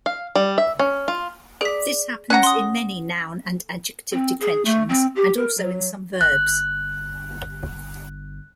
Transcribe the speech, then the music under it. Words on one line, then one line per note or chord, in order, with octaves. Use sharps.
This happens in many noun and adjective declensions, and also in some verbs.
F5
G3
E5
C#4
F4
G#4 D5 B6
C#4 F#5 A#5 F#6
C6 D#6
C4
G#4
A3
C4
G4
A#4
F#3
G1 F#6